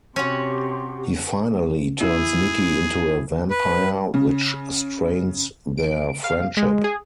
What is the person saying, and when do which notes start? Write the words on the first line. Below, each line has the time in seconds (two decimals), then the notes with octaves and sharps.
He finally turns Nicki into a vampire, which strains their friendship.
0.16 C3 C#4 F#4 G4 C#5 C6
2.01 E4 G#4
3.51 B4
4.14 C#3
5.78 D7
6.24 F5
6.57 G#3
6.84 G#4